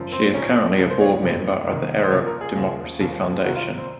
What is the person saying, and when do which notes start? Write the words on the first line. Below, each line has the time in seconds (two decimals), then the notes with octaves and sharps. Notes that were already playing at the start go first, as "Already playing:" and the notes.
She is currently a board member of the Arab Democracy Foundation.
Already playing: G#1 F#2 F3
0.12 C4
0.34 C2 A#2 F3 C#4
0.78 C#2 C#3 F3
0.90 C5
1.01 C#5
1.12 C#5
1.23 G#1 F#2 D#3
1.67 C2 C3 D#3
2.03 C5
2.12 A#1 A#2 F3 C#5
2.26 A#4
2.41 G#4
2.56 D#2 C#3 F3
3.00 F1 D#2 C#3 F3
3.45 C2 C3 D#3 F#4
3.56 F4
3.78 C4